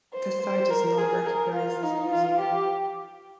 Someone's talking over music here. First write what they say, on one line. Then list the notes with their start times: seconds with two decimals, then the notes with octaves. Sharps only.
The site is not recognized as a museum.
0.13 C5
0.42 C5
0.70 A#4
0.98 G#4
1.26 A#4
1.54 F4
1.83 D#4
2.11 F4
2.40 G4